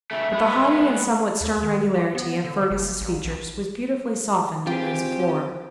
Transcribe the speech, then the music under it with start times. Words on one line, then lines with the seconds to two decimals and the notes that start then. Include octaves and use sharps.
But the haughty and somewhat stern regularity of Fergus's features was beautifully softened in those of Flora.
0.11 C#3 A3 E5
0.34 G#3 B3 B5
1.41 D#2
1.63 D#3
1.94 G4
2.15 B3
2.45 D3
2.71 F#1
3.01 A1
3.25 A#1
4.67 C4 F4 G4 G#4 G5